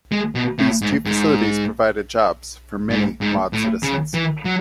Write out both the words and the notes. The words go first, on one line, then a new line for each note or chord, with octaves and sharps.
These two facilities provided jobs for many Maud citizens.
G#3
B2
A2
G#2
G#2
G#2
G#2
A2
C#3
E3
F#3